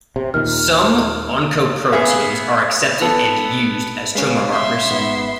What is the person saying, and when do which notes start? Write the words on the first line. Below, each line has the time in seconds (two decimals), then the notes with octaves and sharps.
Some oncoproteins are accepted and used as tumor markers.
0.16 C3
0.34 D#2 A#2 D#3 F6
1.92 B3 G#4 E5 F5
3.01 B3 A4
4.15 G#3 C#4 B4 F5
4.52 E5 C6
4.91 G#2 B3 B5